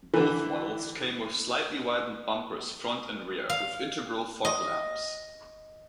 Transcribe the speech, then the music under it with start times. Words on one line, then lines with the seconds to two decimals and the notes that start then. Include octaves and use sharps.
Both models came with slightly widened bumpers front and rear with integral fog lamps.
0.14 D3 E3
3.50 F5
4.45 D#5